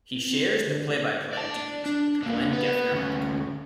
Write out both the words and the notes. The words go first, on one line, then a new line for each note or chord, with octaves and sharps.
He shares the play-by-play duties with Glenn Geffner.
C4
C5
D3
D5 A5
D4
D3 A#3
B3
D2 C#4